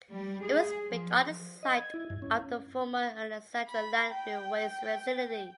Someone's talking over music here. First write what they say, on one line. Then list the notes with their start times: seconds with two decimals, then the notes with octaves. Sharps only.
It was built on the site of the former Alexandria Landfill waste facility.
0.10 G3
0.42 G#4
0.89 F3
1.63 D#5
1.77 G#6
1.94 E4
2.10 G2
2.22 C#4
3.68 B5
4.11 G5